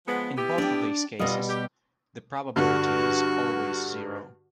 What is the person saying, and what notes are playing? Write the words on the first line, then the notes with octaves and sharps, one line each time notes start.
In both of these cases the probability is always zero.
F3 G#3 B3
B3 E4 G4
D4 G5
B2 G3 D4 F4 D#5
G4
G2 D3 F#4